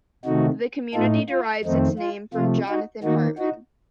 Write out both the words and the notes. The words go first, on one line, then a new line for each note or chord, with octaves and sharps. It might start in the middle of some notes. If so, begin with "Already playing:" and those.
The community derives its name from Jonathan Hartman.
C3 D#3 A3 D#4 F#4
A2 A3 D#4 F4 A4
F4
F2 D#3 A3 C4 D#4
F4
C3 F3 A3 F4
D#4 F#4
D#3 A#3 D#4 F#4
D#4 F#4